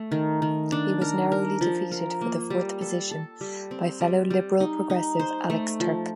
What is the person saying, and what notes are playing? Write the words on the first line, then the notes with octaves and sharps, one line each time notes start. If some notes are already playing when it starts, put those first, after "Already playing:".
He was narrowly defeated for the fourth position by fellow Liberal-Progressive Alex Turk.
Already playing: A3
D#3
D#3
D4
A#4
A#4
F3
A#4
A#3
G3
A4
A4
G3
C4
G3
G3
D#4
D#4
C5
A3
F3